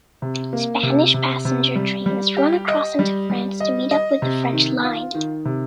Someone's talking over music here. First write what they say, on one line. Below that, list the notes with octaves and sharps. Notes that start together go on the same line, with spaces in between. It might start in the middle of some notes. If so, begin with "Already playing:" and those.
Spanish passenger trains run across into France to meet up with the French line.
C3
A#3
C3
C3
C3
G3
G3
G4
D#5
G3
G3
D#5
D#5
C3
D#3
F4
D#3
C3